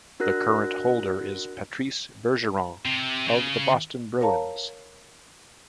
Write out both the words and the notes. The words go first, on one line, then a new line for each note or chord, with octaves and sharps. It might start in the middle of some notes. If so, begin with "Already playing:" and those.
The current holder is Patrice Bergeron of the Boston Bruins.
D4 F#4 A#4 F#6 A#6
C3
C#3
A#4 C#5 F5 A5 A#5